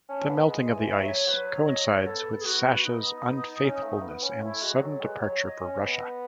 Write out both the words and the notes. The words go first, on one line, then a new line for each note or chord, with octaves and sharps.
The melting of the ice coincides with Sasha's unfaithfulness and sudden departure for Russia.
C#4 A5
B3
G#3 G#5
G#5
E3
E5
F#3
C#5
F#3 B4
C#5
D#5
C#5
B3 A4
G#4
F#4
D#4
C#4
A3
B3
C#4
A3 E4
G#3 F#4
F#3 A4
G#3 B4
F#3 C#5
D#5
C#4
D#5
B3